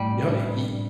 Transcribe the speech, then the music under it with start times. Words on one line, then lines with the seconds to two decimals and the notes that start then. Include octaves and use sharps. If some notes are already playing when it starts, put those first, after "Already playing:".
No, e e
Already playing: A2 G3
0.30 D4